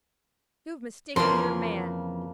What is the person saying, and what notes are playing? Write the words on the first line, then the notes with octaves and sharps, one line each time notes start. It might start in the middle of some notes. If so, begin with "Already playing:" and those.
You've mistaken your man.
F2 C#3 E3 F3 A#3 C6